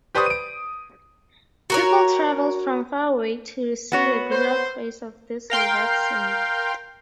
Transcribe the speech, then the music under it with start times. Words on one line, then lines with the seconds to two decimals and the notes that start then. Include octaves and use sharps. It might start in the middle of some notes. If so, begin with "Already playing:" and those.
People travelled from far away to see the burial place of this revered saint.
0.15 G4 B4 C5 D5 C#6 D#6
0.26 D7 D#7
1.70 F#4 A#4 C#5
3.92 B3 F#4 C#5
4.30 C5
5.50 A#4 F5 G5 C6